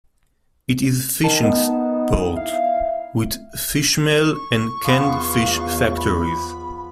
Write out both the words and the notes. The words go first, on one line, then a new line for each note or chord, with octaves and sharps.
It is a fishing port, with fishmeal and canned fish factories.
D#3 A5
B3 D#4
E4 F5
C#6
E2 F3 B3 F5
B5